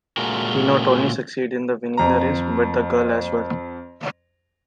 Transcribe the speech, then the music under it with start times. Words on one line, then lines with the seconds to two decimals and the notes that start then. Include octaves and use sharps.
He not only succeeds in winning the race, but the girl as well.
0.17 A#2 G#3 A3 F#4 A#4
1.97 F2 A#5